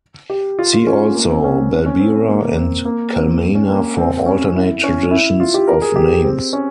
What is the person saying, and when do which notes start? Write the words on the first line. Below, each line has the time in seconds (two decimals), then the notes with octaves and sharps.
See also: Balbira and Kalmana for alternate traditions of names.
0.30 G4
0.59 F4
0.73 F4
0.87 C#4
1.15 A#3
1.30 C4
1.44 C#4
1.71 C4
1.86 C#4
2.00 C4
2.28 A#3
2.57 C4
2.85 A#3
3.13 C4
3.55 C#4
3.70 A#3
3.98 C4
4.12 C4
4.26 C#4
4.55 E4
4.84 C#4
5.11 E4
5.40 F4
5.54 G4
5.68 A#4
5.82 G#4
5.96 G4
6.25 C4
6.53 C#4